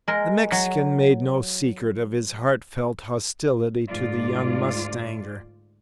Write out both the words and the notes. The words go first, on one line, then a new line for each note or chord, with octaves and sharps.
The Mexican made no secret of his heartfelt hostility to the young mustanger.
G#3 A#4
F#3
D2 G#2 F4 D5